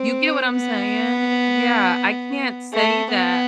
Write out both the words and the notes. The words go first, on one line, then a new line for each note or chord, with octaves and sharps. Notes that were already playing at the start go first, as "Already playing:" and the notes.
You get what I'm saying? Yeah, I can't say that,
Already playing: C4
B3
A3
B3